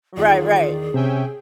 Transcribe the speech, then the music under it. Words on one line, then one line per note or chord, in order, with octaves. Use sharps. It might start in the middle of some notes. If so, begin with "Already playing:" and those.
Right, right.
E2 D#3 F4 G#4 D5
C3 C#4 E5 G5 G#5